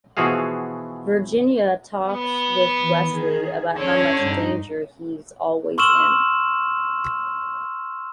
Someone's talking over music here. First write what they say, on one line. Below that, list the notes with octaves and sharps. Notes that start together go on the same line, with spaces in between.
Virginia talks with Wesley about how much danger he's always in.
B2 E3 F3 F#4 G#4 F5
B3
E3
D#3 G#4
D3 C#4 C#5
G2 D#4
C6 C#6 E6 F6 E7 F#7